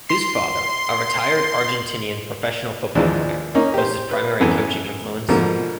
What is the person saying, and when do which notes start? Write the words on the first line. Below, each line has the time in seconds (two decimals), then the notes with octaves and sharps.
His father, a retired Argentinian professional football player, was his primary coaching influence.
0.09 C6 C7
2.95 D#2 E3 F3 G#3 D4
3.55 A#3 C#4 D#4
3.74 G4 C5
4.11 B4
4.40 F#2 E3 B3 A4 G#5
5.29 G#2 B2 D3 F3 A#3